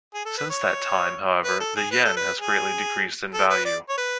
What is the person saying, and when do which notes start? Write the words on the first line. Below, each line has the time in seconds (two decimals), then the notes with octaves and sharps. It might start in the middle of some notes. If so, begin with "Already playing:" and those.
Since that time, however, the yen has greatly decreased in value.
0.14 G#4
0.26 A4
0.38 B4
0.50 C#5
1.45 B4
1.60 A4
1.76 G#4
1.91 B4
2.05 A4
2.17 B4
2.39 G#4
3.34 A4
3.50 B4
3.65 D5
3.89 C#5
3.97 B4